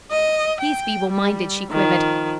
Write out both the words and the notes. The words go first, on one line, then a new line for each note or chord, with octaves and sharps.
"He's feeble-minded," she quivered.
D#5
G5
G3
D#3 F3